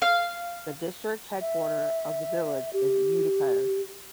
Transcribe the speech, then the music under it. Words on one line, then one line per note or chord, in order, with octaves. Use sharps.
The District head quarter of the village is Udaipur.
F5
E5
G4